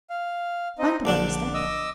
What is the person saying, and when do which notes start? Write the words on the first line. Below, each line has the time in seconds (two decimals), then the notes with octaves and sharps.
Mind the bottom step.
0.10 F5
0.79 C4 D#4 D#5
1.05 A#1 D3 D4 D6
1.54 D#5 D6 E6